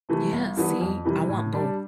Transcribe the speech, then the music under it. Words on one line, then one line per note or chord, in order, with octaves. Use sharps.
Yeah, see. I want both.
C3 E3 A3
G1
G2 E3 B3
F2
C3 E3 G3
A2
G3 D4